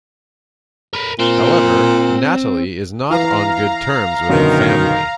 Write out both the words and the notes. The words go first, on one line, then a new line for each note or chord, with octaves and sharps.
However, Natalie is not on good terms with her family.
A#4 B4
A#2 C4
E3 F5 A#5
F#2 B2 D3 D#3